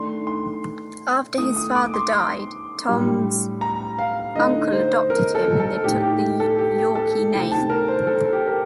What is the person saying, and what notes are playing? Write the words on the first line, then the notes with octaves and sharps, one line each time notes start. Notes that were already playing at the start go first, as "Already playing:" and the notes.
After his father died, Tom's uncle adopted him and he took the Yawkey name.
Already playing: D#3 A3 D4 C6
C6
D#3 A3 D#4 D#6
D#6
D6
C6
C6
A2 G3 D4
A#5
F5
D3 A3 D#4 D#5
C5
A#4
A4
A4
A2 A3 D#4 G4
G4
A4
G4
A4
C3 D#3 A3 G5
A5
A#4
C5
A4
G4
A#4